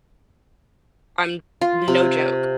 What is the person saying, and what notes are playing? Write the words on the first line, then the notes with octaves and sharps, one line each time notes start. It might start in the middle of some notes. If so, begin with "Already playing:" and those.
I'm no joke.
F4
C3